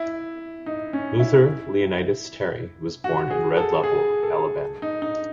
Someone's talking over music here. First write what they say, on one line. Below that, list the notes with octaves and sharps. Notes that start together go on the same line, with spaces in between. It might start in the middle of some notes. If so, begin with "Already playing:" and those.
Luther Leonidas Terry was born in Red Level, Alabama.
Already playing: E4
D#4
C#4
E4
F#4
G#4
A4
G#4
A4
D#4
D#4